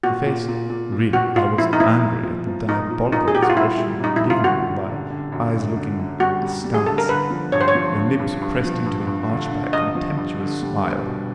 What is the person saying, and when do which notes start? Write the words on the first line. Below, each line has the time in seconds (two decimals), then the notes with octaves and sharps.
The face--really, I was angry at the diabolical expression given it by eyes looking askance, and lips pressed into an arch by a contemptuous smile.
0.03 A#2 F#4
0.26 A#2
0.48 A#2
0.70 A#2
0.92 A#2
1.13 A#2 F#4
1.36 A#2 F4
1.58 F3 E4
1.73 D#4
1.80 F3 E4
2.03 A#2
2.23 F3
2.47 F3
2.69 A#2 D#4
2.90 A#2
3.12 A#2 D#4
3.28 G#4
3.34 A#2 G4
3.43 F#4
3.50 F4
3.56 G3 E4
3.78 G3
4.00 F#2 D#4
4.16 E4
4.22 D3
4.30 F4
4.44 D3 F#4
4.66 D3
4.89 D3
5.10 D3
5.32 F#2
5.55 F#2
5.76 D3
5.99 D3
6.20 G3 F#4
6.42 G3
6.64 G3
6.74 G#4
6.86 D3 A4
6.98 A#4
7.09 D3 B4
7.30 F3
7.52 G2 C#5
7.61 C5
7.68 C#5
7.75 F3
7.97 G2
8.19 G2
8.41 G2
8.64 F3
8.86 G2
9.07 G2
9.29 D3
9.51 D3
9.73 G2 D#5
9.95 F3
10.17 G2
10.40 D3
10.62 G3
10.83 B3
11.05 B2